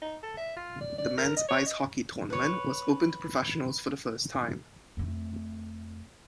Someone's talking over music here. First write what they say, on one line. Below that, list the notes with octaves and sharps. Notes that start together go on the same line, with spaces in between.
The men's ice hockey tournament was opened to professionals for the first time.
D#4
A4
E5
F4
D5
D5
A#4
D#5
C#5
D#5
B4 C#5
F2 A3